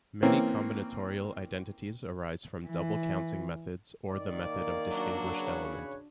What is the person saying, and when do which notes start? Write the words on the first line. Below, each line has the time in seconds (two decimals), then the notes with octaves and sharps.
Many combinatorial identities arise from double counting methods or the method of distinguished element.
0.23 E3 A#3 C4 C#4
2.66 E3
4.10 D#3 D5
4.40 A#3
4.90 F#3 D4 F#4
5.37 C#3 B4 C#5